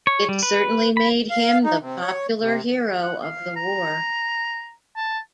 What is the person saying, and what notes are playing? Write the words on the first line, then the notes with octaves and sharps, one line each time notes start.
It certainly made him the popular hero of the war.
C#5
G3
B4
B5
F5
D#4
C3
C#5
C3
F#5
F5
A#5
A5